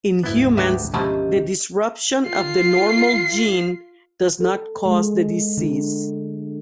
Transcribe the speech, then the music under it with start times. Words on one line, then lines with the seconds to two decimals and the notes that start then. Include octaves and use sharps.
In humans the disruption of the normal gene does not cause the disease.
0.23 D2 G#2 B3 E4
0.57 D4 F#4 G4 B4 E5
0.94 B2 F3 A3 A#3 C#4 G4 D#5
2.25 F4 C7
4.40 A4
4.86 G#3
5.57 D3